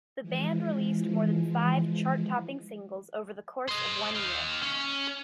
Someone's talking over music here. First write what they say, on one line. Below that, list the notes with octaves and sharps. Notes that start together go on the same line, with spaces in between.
The band released more than five chart-topping singles over the course of one year.
E3 F3 G#3
C5 D#5
D#4 F5
C#4